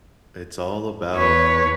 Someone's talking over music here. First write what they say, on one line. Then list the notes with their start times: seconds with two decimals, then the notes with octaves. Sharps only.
it's all about
1.16 E2 B4 C#5